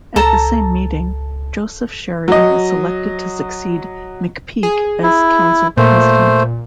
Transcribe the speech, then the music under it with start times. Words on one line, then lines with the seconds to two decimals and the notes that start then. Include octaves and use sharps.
At the same meeting, Joseph Sheridan was selected to succeed McPeek as Council President.
0.16 C#2 A4 A5 A#5
2.28 F#3 D#5
4.63 G#4
5.03 E4
5.77 A#2 A3 C5